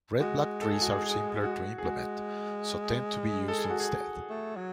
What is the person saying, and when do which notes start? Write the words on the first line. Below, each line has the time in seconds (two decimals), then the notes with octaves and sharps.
Red-black trees are simpler to implement, so tend to be used instead.
0.20 G#3 F#4
0.61 A4
0.71 G#4
0.81 F#4
0.91 G#4
1.02 G#4
1.43 F#4
1.78 G#4
1.84 G#3 F#4
3.48 A4
3.58 G#4
3.70 F#4
3.80 G#4
4.30 A3
4.57 F#3